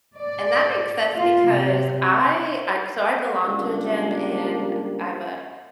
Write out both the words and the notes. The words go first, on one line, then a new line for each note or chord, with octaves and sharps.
and that makes sense because I uh so I belong to a gym, and I'm a
D5
F4
C3
C#2 G3 A#3 D4 G4